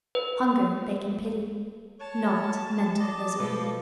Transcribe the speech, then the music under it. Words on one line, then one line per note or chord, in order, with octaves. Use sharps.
Hunger they can pity--not mental misery.
B4
C#5 A5
D#5 D6
B2 F3 A4 B4